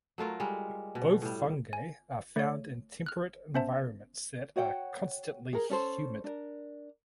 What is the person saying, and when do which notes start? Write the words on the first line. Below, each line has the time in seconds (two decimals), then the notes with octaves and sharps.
Both fungi are found in temperate environments that are constantly humid.
0.18 F#3 A3 F4 A#4
0.40 G3 G#3
0.95 B2
1.22 A2 G3
1.73 G#5
2.36 A3 C#5
3.06 F6 F#6
3.54 B3 C#4 C5 E5 A5
4.56 F#4 C#5 F#5 G5
5.53 G#4 A#4
5.70 C#4 A4 C5
6.24 D4 A#4